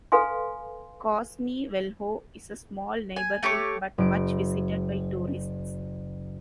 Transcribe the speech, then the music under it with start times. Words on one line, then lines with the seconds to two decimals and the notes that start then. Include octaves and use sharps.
Cosme Velho is a small neighborhood, but much visited by tourists.
0.12 A4 B4 F5 G#5 C6
3.16 G#5
3.43 A3 G4 C#5 C#6
3.98 F#1 D7